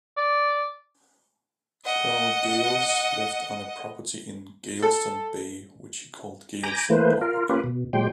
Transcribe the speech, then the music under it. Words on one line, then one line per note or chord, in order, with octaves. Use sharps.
Colonel Geils lived on property in Geilston Bay which he called "Geilston Park".
D5
D#5 F#5
A4
G#5 A#5 B5 D6 G6 A#6
E3 A3 A#3 B4 C5
F4 A#4
A#3 C#4 F4 G4 B4
B2
A#2 F#3 G#3 G4 G5 C6